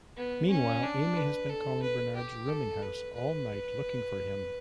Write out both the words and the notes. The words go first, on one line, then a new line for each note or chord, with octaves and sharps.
Meanwhile, Amy has been calling Bernard's rooming house all night looking for him.
B3
C#4
D4
B4
A4
B4
G4
A4
B4
B4